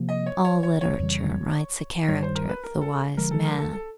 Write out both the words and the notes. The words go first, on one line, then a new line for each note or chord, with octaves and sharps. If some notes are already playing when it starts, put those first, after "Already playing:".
All literature writes the character of the wise man.
Already playing: C3 F3 A#3
D#5
C#5
C#5
C#5
C#5
F2 C#3 E3 G3
G2 D#3 G3 C#5
C5
A#4
B4
A#4
A4
D3 F3 G#3 A#4
A4
A#4
A4
A4